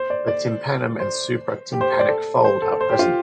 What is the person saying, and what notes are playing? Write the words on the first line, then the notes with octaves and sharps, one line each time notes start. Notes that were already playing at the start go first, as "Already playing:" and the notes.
The tympanum and supratympanic fold are present.
Already playing: C5
D5
D5
C5
G4
C5
C5
D5
A4
C5
A4
C5
G4
F4